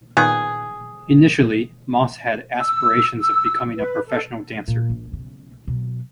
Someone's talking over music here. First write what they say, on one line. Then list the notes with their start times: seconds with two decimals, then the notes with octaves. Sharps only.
Initially, Moss had aspirations of becoming a professional dancer.
0.17 A#2 D#3 B3 G#4
2.59 E6
3.19 E6
3.77 B4
4.07 A4
4.68 A#2
4.89 A#1
5.12 B1 C#3
5.67 B2 F#3